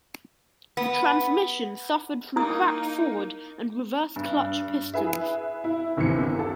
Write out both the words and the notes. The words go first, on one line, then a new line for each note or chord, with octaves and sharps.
The transmission suffered from cracked forward and reverse clutch pistons.
B3
A#3 D#4 E4 D#6
G2
E4 G#4 B4 E5
E4
G1 D#2 C3 E3 C4 C#7
A4